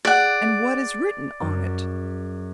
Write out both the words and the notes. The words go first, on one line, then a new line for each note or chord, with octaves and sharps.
"And what is written on it?"
G#4 D5 F#5
F#2